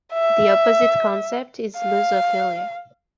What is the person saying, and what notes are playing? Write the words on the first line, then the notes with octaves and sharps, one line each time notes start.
The opposite concept is lusophilia.
E5
F5